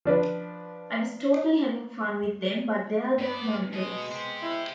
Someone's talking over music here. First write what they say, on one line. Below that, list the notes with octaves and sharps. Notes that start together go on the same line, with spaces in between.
I was totally having fun with them, but they are there nonetheless.
F3 D4 B4
G2 B3 D5
B2 G#3 D#5
G4 C5
E4